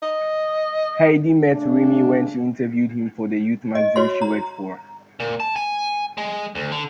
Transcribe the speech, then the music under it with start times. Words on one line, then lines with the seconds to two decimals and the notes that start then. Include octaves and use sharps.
Heidi met Remee when she interviewed him for the youth magazine she worked for.
0.03 D#5
1.52 C#3 A3 D4
3.75 D#5
3.96 F#4 C#5 C6
4.22 A#5
5.20 A#2
5.40 A5
5.56 G#5
6.18 G#3
6.55 D2
6.72 D3